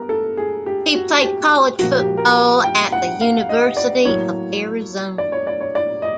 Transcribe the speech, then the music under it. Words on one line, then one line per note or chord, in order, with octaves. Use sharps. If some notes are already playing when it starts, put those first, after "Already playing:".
He played college football at the University of Arizona.
Already playing: G3 B3 A#4
A4
G#4
G4
F#4
G4
A#2 F3 A#3 F#4
G4
A#4
G5
F#5
F5
D#5
D5
A2 F#3 A#3 C#5
D5
C#5
D5
C#5
D5
D#5